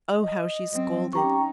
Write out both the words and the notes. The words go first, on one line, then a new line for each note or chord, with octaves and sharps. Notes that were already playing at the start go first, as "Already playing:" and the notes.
Oh, how she scolded.
D#5
F#3 C4
C#4 D#4 G4 G5 A#5 C#6